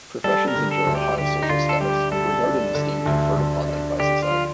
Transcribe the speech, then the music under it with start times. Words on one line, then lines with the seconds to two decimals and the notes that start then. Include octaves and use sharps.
Professions enjoy a high social status, regard and esteem conferred upon them by society.
0.24 G3 A4
0.48 A#4
0.55 D3
0.71 A4
0.87 D2
0.95 G4
1.18 D3 G4
1.43 D#4
1.49 D3 F4
1.69 A4
1.81 G3 G4
2.11 G3 A4
2.44 D4
2.75 D3
3.06 D2
3.37 D2
3.69 D4
4.00 D3 G4
4.22 F4
4.31 F3